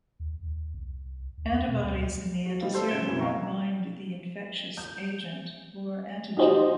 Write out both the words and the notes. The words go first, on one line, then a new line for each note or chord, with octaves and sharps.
Antibodies in the antiserum bind the infectious agent or antigen.
D#2
D#2
C2
D2
E2
B2
D2
D2
F#4
G3 C5 D#5 F5
A4 C5 E6
G1 C#3 G#6 D7 E7 G7
F#2 B2 A#3 C4 C#4 E4
D#5 F5 F#5 A#5 C#6
G6
D#4 F#4 G4 C5 D#5